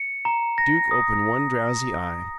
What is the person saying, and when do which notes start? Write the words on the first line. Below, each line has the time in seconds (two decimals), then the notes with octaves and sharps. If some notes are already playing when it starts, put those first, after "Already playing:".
Duke opened one drowsy eye.
Already playing: C#7
0.25 A#5
0.58 A#6
0.91 D#6